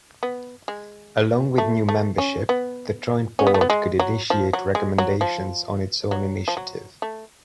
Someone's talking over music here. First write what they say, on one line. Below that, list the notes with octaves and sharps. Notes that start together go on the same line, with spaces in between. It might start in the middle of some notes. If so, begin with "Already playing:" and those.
Along with new membership, the Joint Board could initiate recommendations on its own initiative.
B3
G#3
A3
A3
C#4
B3
C#4
B3
A3
B3
G#3
F#3
F3
F#3
G#3
F#3
F3
F#3
F3
F#3
A3